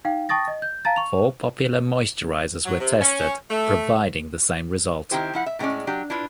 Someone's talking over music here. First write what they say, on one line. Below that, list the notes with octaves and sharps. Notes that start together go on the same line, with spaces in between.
Four popular moisturizers were tested, providing the same result.
D#4 F5 G5
G5 A5 C#6 D#6 A6 A#6
D#5
G6
F5 A5 A#5 A6
C#6 F7
F#3
C3
C#4
A3
D#3 C4 E4 G4 C5
F3 E4 F#5
E5
A2 E3 G#3 C#4 D5
F#3 D4 G4
D4 E4 F4 B4